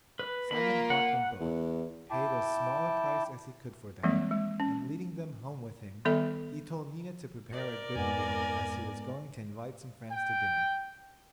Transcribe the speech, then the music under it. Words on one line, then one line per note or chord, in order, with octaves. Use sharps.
Simon bought them both, paid as small a price as he could for them, and leading them home with him, he told Nina to prepare a good meal, as he was going to invite some friends to dinner.
B4
A#3 F4 B5
F#5
E2
E4 G5 A5 D6
E3 F3 G3 G#3 A#3 C4
G#3
C#4
D#3 G3 B3 A4 E5 B5
A#4 D5
F2 G#2 G#3 B3 G#5
G5